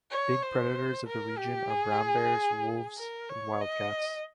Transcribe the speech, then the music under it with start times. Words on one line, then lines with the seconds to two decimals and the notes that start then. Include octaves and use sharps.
Big predators of the region are brown bears, wolves and wildcats.
0.11 C#5
0.42 C5
1.07 A#4
1.38 G4
1.70 G#4
2.98 A#4
3.29 C#5
3.61 D#5